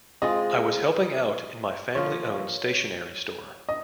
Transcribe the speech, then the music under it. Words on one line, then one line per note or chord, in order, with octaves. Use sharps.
I was helping out in my family owned stationery store.
G#3 C4 F4 G#4 D#5
F3 A#3 F4 C#5
D#5